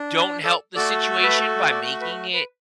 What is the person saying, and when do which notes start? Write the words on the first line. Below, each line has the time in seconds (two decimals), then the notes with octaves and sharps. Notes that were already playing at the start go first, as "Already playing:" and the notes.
don't help the situation by making it
Already playing: D4
0.44 A4 D5
0.75 A3 F#4 A4 D5
1.23 B4 E5
1.70 A4 D5
2.01 B4
2.33 B4